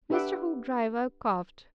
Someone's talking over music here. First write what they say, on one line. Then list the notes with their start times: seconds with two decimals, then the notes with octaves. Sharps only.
Mr. Hoopdriver coughed.
0.10 D4 G4 B4 E5 F#5 D6